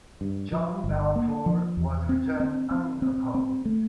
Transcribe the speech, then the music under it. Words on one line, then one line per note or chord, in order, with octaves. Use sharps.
John Balfour was returned unopposed.
G2
F3
G1
A#3
F3
E2
C4
C4
C4
C4
C4
A3